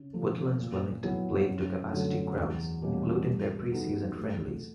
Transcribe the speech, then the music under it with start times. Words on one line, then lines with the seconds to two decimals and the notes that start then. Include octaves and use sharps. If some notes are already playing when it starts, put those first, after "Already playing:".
Woodlands Wellington played to capacity crowds, including their pre-season friendlies.
Already playing: C#3
0.13 F3 A3
0.58 A#2
1.03 F#3 B3 E4 G#4
1.49 F#2
1.92 D3 F#3 A3
2.37 E2
2.82 B2 G3 A#3 C#4
3.27 G3
3.72 B3 D#4 F#4 A4
4.17 A3